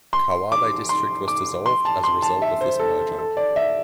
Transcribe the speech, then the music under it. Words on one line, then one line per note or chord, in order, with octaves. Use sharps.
Kawabe District was dissolved as a result of this merger.
C6
D6
C6
D6
C6
A5
C6
A5
E5
C5
A4
A4
D5
E5